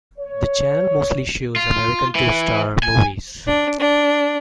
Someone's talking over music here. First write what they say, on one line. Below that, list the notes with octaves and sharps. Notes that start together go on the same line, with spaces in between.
The channel mostly shows American two-star movies.
C#5
F4
E3
G#5
D4
D4